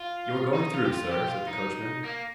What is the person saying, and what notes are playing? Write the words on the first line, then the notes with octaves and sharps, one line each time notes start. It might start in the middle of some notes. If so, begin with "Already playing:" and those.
'You are going through, sir?' said the coachman.
Already playing: F4
D#4
F4
G4
F4
G4
F4
D#4
A#3